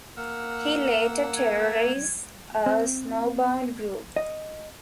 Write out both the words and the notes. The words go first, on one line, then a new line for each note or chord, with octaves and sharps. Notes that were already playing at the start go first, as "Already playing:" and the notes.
He later terrorizes a snowbound group.
A#3 F#5 E6 F6
G#6
C4
D#5